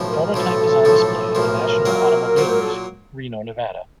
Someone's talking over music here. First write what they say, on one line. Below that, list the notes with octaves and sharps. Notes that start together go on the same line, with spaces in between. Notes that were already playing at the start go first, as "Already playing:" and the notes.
The prototype is on display at the National Automobile Museum, Reno, Nevada.
Already playing: B1 A2 F3
A#4
A#4
B1 A2 F3 A4
B1 A2 F3
B1 A2 F3 A#4
A#2 F#3 A#3
A#2 F#3 A#3 C5
A#4
A4